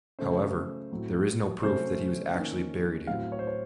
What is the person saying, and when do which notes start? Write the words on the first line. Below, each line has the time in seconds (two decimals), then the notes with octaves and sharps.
However, there is no proof that he was actually buried here.
0.19 C#3 F#3 A3 C#4 C5
0.92 A2 F#3 C4
1.63 C3 F#3 A3 C#4 C5
2.35 D#3 A#3 C#4
3.07 A2 F#3 C4 F5
3.32 C#5
3.39 C5
3.47 C#5